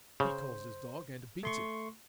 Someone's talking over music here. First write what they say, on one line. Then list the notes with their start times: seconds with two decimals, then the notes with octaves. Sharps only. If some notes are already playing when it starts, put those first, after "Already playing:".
He calls his dog and beats it.
0.20 C#3 C5
1.43 A3 C6 C#6